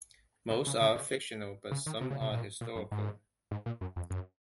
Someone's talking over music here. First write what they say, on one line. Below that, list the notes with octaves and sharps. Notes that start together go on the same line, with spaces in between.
Most are fictional but some are historical.
C#3
C#3
C#3
C#3
C#3
D#3
C3
C#3
C3
A#2
A#2
F#2
G#2
G#2
A#2
F#2
F2
F#2